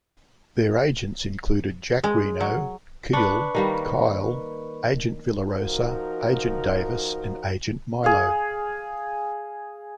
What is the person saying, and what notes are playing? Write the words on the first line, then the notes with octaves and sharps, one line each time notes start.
Their agents included Jack Reno, Keel, Kyle, Agent Villarosa, Agent Davis and Agent Milo.
G#3
F#3
D4 B4 B5 C#6
D#3 G3 A#3
F3 D#4 F#4 A#4
G#4 F5